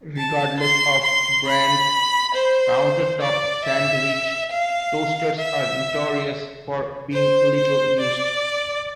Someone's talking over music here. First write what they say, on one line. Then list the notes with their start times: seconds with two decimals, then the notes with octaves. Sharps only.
Regardless of brand counter-top sandwich toasters are notorious for being little-used.
0.17 A5
0.60 C6
1.03 C6
1.47 B5
2.34 C5
3.21 D5
3.65 E5
4.52 F5
5.38 E5
7.13 C5
7.56 C5
8.00 D5